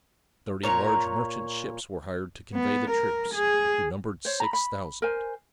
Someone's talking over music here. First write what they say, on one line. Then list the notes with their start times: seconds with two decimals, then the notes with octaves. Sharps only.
Thirty large merchant ships were hired to convey the troops, who numbered six thousand.
0.63 A#2 C#5 A#5
2.54 B3
2.91 A#4
3.34 G#4
4.25 C5 C#5
4.40 A#5 B5
4.53 B5
5.02 A#4 C5 G#5